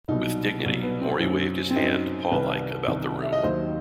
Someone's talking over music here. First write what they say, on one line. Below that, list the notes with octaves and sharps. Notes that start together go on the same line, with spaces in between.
With dignity Maury waved his hand paw-like about the room.
C2 B2 F#3 D#4
C2 B2 F#3
B3
C4
F#2 F#3
C4
F#2 F#3 D#4
C2 C3 D#3 B4
C2 C3 D#3
E5
D#5
D#2 D#3 F#3 C5